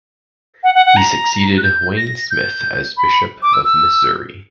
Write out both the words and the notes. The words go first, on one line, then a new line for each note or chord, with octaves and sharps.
He succeeded Wayne Smith as Bishop of Missouri.
F#5
F#5
F#5
A#5
F#6
G6
A#6
G6
B5
D6
E6
E6